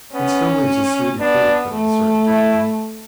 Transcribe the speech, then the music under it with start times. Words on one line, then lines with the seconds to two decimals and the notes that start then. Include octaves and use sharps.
"That still leaves us three to two!" put in Sir Nathaniel.
0.14 B3 C#4
1.20 B3 D4
1.74 A3
2.27 E4